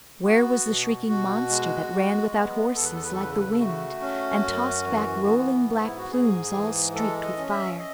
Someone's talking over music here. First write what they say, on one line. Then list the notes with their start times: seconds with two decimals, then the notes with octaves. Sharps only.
Where was the shrieking monster that ran without horses like the wind and tossed back rolling black plumes all streaked with fire?
0.24 B3 F#4
0.66 B2
1.08 B2 F#4
1.50 G#3
1.92 G#3
2.34 B3
2.75 E2 A4
2.85 B4
2.94 A4
3.03 B4
3.13 A4
3.18 C#3 B4
3.31 A4
3.40 B4
3.49 A4
3.59 A3 F#4
4.01 C#4
4.43 F#2
4.86 E3
5.27 B3
5.69 G#2
5.84 E4
5.98 F#4
6.11 G#2 G#4
6.53 E3
6.94 G#3 A4
7.23 D#5
7.37 C#4
7.51 E5
7.79 D#5